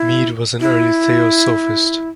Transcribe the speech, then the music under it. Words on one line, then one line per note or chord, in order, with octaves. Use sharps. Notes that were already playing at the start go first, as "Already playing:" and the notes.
Mead was an early Theosophist.
Already playing: E4
E4